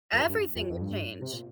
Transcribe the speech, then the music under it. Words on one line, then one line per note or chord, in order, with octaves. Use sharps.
Everything would change.
F2
G2
G2
F2
F2
G2
C3
A#2